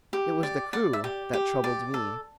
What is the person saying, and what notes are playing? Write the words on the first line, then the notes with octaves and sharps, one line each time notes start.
It was the crew that troubled me.
G4
D5
D5 F#5
E5
G4
G4
D5
A4